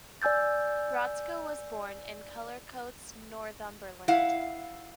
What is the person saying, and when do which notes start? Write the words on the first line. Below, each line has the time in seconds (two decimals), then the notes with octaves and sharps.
Rodska was born in Cullercoats, Northumberland.
0.22 D5 G#5 E6 G6 A6
4.08 E4 F5 F#5